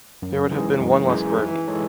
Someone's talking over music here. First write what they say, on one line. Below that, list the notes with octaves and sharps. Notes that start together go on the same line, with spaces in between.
There would have been one less burden.
F#2
E3 G#3 D#4 G#4
F#2
E3 G#3 D#4 G#4
E3
G#3 D#4 A4 C#5